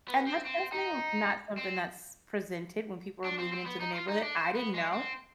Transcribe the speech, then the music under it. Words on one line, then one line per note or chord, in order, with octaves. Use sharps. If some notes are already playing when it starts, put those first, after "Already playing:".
And that's definitely not something that's presented when people are moving into the neighborhood. I didn't know,
B3
C4
C4
D#4
C4
D4
C4
C4
B3
D#4
F4
D#4
D4
C4
B3
G#3
C4